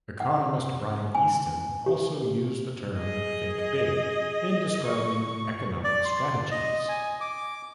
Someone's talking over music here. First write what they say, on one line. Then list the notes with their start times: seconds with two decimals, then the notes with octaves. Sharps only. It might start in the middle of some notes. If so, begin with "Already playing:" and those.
Economist Brian Easton also used the term "think big" in describing economic strategies.
0.20 F#5
1.15 G#5
1.86 G4
2.96 G#4 D#5
4.86 C#6
5.84 D5
6.05 C6
6.51 D#5
6.89 G#5
7.21 D6